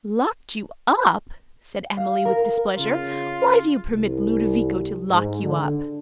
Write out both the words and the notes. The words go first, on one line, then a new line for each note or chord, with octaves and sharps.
'Locked you up!' said Emily, with displeasure, 'Why do you permit Ludovico to lock you up?'
F5
A#4
C#3 F4
C2
G#2
D3